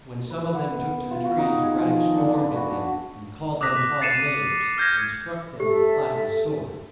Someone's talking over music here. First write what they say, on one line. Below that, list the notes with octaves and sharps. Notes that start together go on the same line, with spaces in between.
When some of them took to the trees, Brad-dock stormed at them, and called them hard names, and struck them with the flat of his sword.
B4
F#5
B3
F4
F#4
D#4
G#4
F3
D#3
D4
B4
F#4
D6 D#6 F#6 A#6 B6
A6 C7 C#7 D#7 E7
F6 G6 G#6 A#6
G4 A4 E5